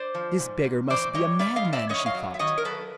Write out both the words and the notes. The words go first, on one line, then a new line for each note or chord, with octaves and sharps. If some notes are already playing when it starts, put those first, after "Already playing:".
This beggar must be a madman, she thought.
Already playing: C5 D5
F3
G#2
G#2
E3 C5 D5
G3 C#5 D#5
G3 D5 E5
D#5 F5
G#2
D5 E5
F#2 C#5 D#5
D#5 F5
F#3
E5
D#3 C#5 D#5
A#4
F#3 A4 B4